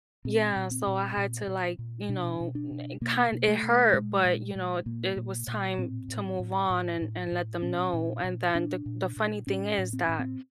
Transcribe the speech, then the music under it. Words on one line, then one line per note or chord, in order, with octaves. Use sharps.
Yeah, so I had to, like, you know, ne kind it hurt, but you know, it was time to move on and and let them know. And then the the funny thing is that
A#2 C4
A#2
C4
A#2
A#2
A#2
A#2
B2 D4
B2
D4
B2
B2 A#3
B2
A3
B2
A#2 G#3
A#2
A#2
A#2 A#3
A#2
A#2
A2 C4
A2
A2
A2
A2
A2
A#2 C#4
A#2
A#2
A#2 D4
A#2
A#2
A2 C#4
A2
C4
A2 C#4
C4